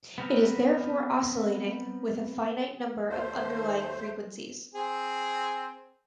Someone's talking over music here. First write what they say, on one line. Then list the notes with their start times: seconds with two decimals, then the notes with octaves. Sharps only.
It is therefore oscillating, with a finite number of underlying frequencies.
0.18 B3 C4 A#4 B4
3.09 D#2 A3 C5
4.75 C4 G#4